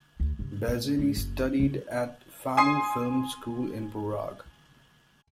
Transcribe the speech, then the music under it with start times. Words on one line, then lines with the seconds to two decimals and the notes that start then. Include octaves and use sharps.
Bazelli studied at Famu Film School in Prague.
0.20 D2
0.39 G2 C#3
0.68 A2
0.99 G#2
1.17 F#1
1.59 C#3 C#4
2.57 G#5 C6 D#6 C7